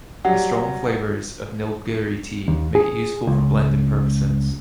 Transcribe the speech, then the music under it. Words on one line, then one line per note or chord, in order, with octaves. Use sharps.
The strong flavours of Nilgiri tea make it useful for blending purposes.
F#3 G3 F#5
D#2
G#4
C#2